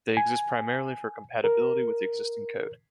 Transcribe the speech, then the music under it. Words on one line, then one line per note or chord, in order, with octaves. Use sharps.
They exist primarily for compatibility with existing code.
G#5
A#4